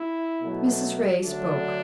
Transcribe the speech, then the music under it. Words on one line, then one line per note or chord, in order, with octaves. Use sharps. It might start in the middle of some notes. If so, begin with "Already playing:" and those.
Mrs. Ray spoke.
Already playing: E4
B2 F#3 A3
D3 F#3 A3 D4